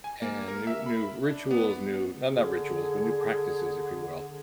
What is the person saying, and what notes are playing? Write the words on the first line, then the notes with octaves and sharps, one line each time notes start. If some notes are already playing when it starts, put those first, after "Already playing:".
and new new rituals, new no, not rituals, but new practices, if you will,
G#5
A#3
A#4
E5
B5
D4
B3
D3 G#4